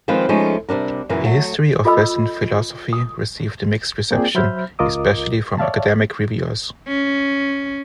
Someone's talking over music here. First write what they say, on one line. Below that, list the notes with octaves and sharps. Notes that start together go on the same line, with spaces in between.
"A History of Western Philosophy" received a mixed reception, especially from academic reviewers.
D#3 F3 G#3 C4 F4 B4
F3 G#3 A3 C#4 D#4
C3 G3 D4 A#4
F#2 A#2 C#3 E3 A#4
F#3 A3
F4 A4 D#5 B5 E6
D#6
A#3 C4 F4 G#4 D5 G5
F#3 C5 E5 B5 F6 G6
C#2 F4 A#4 D#5 D6 D#6
C#5 D5 E5 F5 A5
C#4